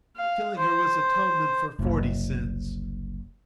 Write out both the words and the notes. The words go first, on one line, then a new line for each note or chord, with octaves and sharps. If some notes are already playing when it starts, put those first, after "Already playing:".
Killing her was atonement for forty sins.
F5
C5
F#1 C2